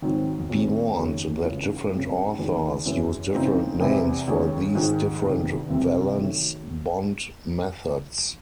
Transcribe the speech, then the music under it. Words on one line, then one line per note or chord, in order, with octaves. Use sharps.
Be warned that different authors use different names for these different valence bond methods.
G#2 D#3 F#3 C4
D#2 D#3 G#3 C4
F#2 D#3 F#3 A3
C#2 C#3 E3
F#2 C#3 G#3 C4
E2 D#3 G#3
F#2 E3 G#3
C#3 E3 C4 D#4
E2 C3 E3 C4 E4
D#2 D#3 G#3 C#4
G#2 D#3 G#3
E2 C3 D#3
C2 C3 E3 C4
D#3 F#3 A3